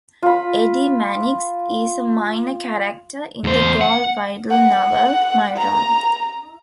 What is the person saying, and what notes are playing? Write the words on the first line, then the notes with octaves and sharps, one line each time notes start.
Eddie Mannix is a minor character in the Gore Vidal novel "Myron".
F4 B5
E2 C5
F#5
F#5
A#5